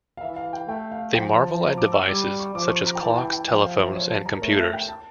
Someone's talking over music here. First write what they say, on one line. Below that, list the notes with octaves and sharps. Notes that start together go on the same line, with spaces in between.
They marvel at devices such as clocks, telephones and computers.
F5
E3 E5
F5
G5
A3 G5
F5
F3 G5
A5
A#5
D6
E6
G3 D6
D6
C#6
F3 D6
C#6
A#5
G5
E3 A5
A5
G5
G5
F3 G5
F5
E5
C#5
A5
A#5
A#4
A3 C#5
E5
G5
A5